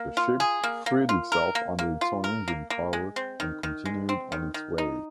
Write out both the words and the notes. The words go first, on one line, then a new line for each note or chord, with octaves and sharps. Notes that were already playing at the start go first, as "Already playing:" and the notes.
The ship freed itself under its own engine power and continued on its way.
Already playing: A#3
F4
G#4
A#3
A#3
F4
A#4
A#3
A#3
F4
A#4
A#3
A#3
G#3
C4
D#3
D#3
G#3
C4
D#3
D#3
D#4